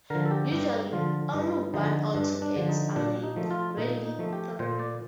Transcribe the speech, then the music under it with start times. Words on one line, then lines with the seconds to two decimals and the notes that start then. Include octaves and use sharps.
Usually, only one or two eggs are laid, rarely three.
0.10 D3 F3 A#4
0.26 A4
0.31 G4
0.52 G2 G4
0.92 D3 F3 F4
1.33 G2 D#4
1.74 D3 F3 D#4
2.14 G2 D4
2.42 D4
2.56 D3 F3
2.69 D#4
2.96 A#2 D4
3.23 D#4
3.36 F3 A3
3.51 F4
3.77 A#2 D#4
4.05 D#4
4.19 F3 A3
4.33 G4
4.59 A#2 C5
4.79 D5